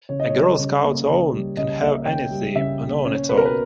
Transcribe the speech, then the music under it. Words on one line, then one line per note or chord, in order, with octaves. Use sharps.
A "Girl Scouts' Own" can have any theme, or none at all.
C#3 C#5
D#5
G3 C#5
C#3
A#3
C#3
G3
C#3 D#5
A#3 E5
C#3 G5
G3
C#3 E5
A#3
C#4 C#5
B2 B4
A#4
B4